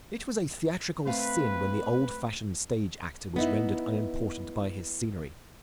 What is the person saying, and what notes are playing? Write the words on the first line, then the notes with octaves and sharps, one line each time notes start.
It was a theatrical sin when the old-fashioned stage actor was rendered unimportant by his scenery.
A3 C4 B4 F5
B3 D#4 E4